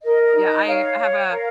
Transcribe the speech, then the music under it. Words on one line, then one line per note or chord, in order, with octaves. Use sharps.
Yeah, I I have a
A#4 D#5
D#5
D#4
D#5
C#5 F5
C#5
A#4 F5